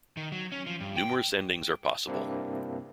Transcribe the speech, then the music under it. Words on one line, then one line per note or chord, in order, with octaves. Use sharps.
Numerous endings are possible.
D#3
F#3
C#4
F3
G2
G5
G2 C3 A#3 C4 D4 E4